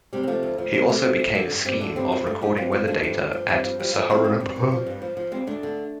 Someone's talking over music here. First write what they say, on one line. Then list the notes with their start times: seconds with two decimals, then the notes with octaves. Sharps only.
He also began a scheme of recording weather data at Saharanpur.
0.13 C3 G3 C4
0.23 C4
0.28 F3 A3
0.43 D2
0.58 F3
0.73 C3 A3
0.89 C3 A3
1.04 F3
1.19 D2
1.35 D3
1.51 G2
1.65 G2 G3 C4
1.80 D3 A3 D4
1.96 G2 G3 C4
2.12 F3
2.26 G2 A3 D4
2.41 F3 D4 G4
2.57 G2 C4 F4
2.72 F3
2.87 F3 A3 D4
3.03 G2
3.18 G2
3.33 F3
3.48 G2 G3 C4
3.64 F3
3.79 F3 G3
3.94 F3 A3
4.10 F3 G3 C4
4.25 G2
4.40 G2
4.56 G2
4.72 F3
4.87 G2
5.02 F3
5.17 F3
5.32 D2 G3 C4
5.47 D2 A3 D4
5.63 D3